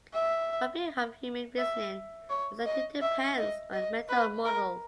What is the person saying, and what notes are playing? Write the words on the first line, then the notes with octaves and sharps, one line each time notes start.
One view of human reasoning is that it depends on mental models.
E5
E5
C#5
D#5
E5
D#5
D#5
B4
A#4